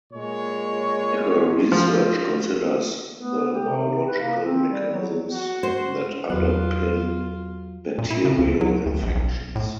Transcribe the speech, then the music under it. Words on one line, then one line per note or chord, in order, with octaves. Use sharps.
Her research considers the biological mechanisms that underpin bacterial infections.
A#2 G#3 C#5
F3
B3
G4
C3
B4
A#3
C4
G3
F#3
F#4
C5
E2 F#3 F4 B4 F#6
A#2
E4
C#3
D2
F#3
D2
A#1
B1
A2